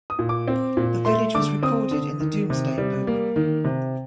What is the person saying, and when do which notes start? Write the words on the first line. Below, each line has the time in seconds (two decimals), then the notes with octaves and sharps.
The village was recorded in the Domesday Book.
0.10 D#6
0.19 A#2
0.29 D6
0.48 C4
0.77 A#2
1.05 A3 C6
1.34 D3 D6
1.63 C4 D#6
1.91 D3
2.20 D#3
2.50 C3
2.78 G3
3.07 A#3
3.36 D#3
3.65 C3